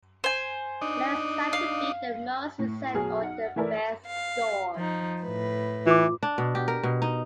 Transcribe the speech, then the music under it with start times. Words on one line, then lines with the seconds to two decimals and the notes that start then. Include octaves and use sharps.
Players try to beat their most recent or their best score.
0.24 C5 G#5
0.81 D4 D#4
1.53 F5
2.59 A2
2.94 B1 F#3 G#4 F6
3.22 D#4 F#5
3.56 E3 A3 E4 A#4 D5
4.06 F5
4.75 F3 D#4
5.22 A2 B4
5.87 E3 F4 D6
6.23 D4
6.38 B2
6.55 G4
6.68 A#4
6.83 B2
7.02 D#4